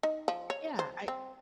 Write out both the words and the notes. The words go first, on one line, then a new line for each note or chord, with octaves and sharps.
Yeah, I
D#4
F3
C#5
C5
C4